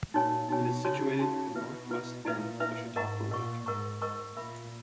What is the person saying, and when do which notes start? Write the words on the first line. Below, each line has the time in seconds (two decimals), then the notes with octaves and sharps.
It is situated at the northwest end of Chautauqua Lake.
0.13 A#2 D#4 F#4 C#5 G#5
0.49 B2 D#4 F#4 C#5 G#5
0.84 C#3 D#4 F#4 C#5 G#5
1.19 D#4 F#4 C#5 G#5
1.55 B2 E4 B4 E5
1.90 E4 B4 E5
2.25 A#2 E4 B4 E5
2.60 E4 B4 E5
2.95 G#2 A#4 D#5 F#5 A#5 C#6
3.31 A#2 A#4 D#5 F#5 A#5 C#6
3.66 G#2 A#4 D#5 F#5 A#5 C#6
4.02 G#2 A#4 D#5 F#5 A#5 C#6
4.36 A#2 A#4 E5 B5